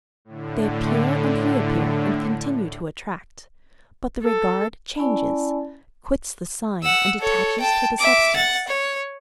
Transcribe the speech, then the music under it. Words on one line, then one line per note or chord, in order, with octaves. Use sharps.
They appear and reappear and continue to attract; but the regard changes, quits the sign and attaches to the substance.
A2 D3
A4
C#4 E4 D5 G#5 A5 B5
F#5 E6
A4 C#5
G5 A5
E5 D6
F#5 A6
C#5